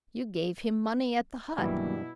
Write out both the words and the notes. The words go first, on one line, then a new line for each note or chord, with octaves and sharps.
You gave him money at the hut.
G2 B2 D#3 E3 F#3 G3 A#3 E4